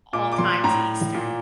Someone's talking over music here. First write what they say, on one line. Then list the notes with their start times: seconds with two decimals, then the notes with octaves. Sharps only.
All times Eastern.
0.13 A#2 D6
0.32 D6
0.38 C6
0.64 A2 A#5
1.14 A#2